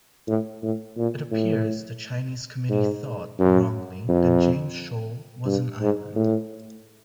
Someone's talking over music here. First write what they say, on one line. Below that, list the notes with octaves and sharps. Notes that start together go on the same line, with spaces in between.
It appears the Chinese committee thought, wrongly that James Shoal was an island.
A2
A2
A#2
A2
G#2
F#2
F2
G2
G#2
A2